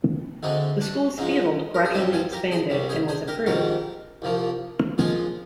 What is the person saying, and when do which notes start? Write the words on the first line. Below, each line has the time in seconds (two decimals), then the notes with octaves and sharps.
The school's field gradually expanded and was improved.
0.43 D2 D3 G#3 C4 D#4
0.81 D4
1.18 G#2 F3 G#3 D#4
1.74 A#4
1.85 G#4
1.94 G2 F3 C4 D#4 G4
2.13 F4 G#4
2.32 G4 A#4
2.51 G#4 C5
2.70 C2 C3 G3
2.89 G#4 C5
3.08 G#4 C5
3.28 G4 A#4
3.46 A#1 G#2 D#3 G3 G4 A#4
4.22 C2 A#2 F3 A#3
4.98 A#2 F3 G#3 F4 G#4